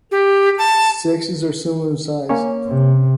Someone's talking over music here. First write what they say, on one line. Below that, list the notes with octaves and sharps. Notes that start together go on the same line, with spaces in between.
Sexes are similar in size.
G4
A5
A#3 C#4 C#5
C3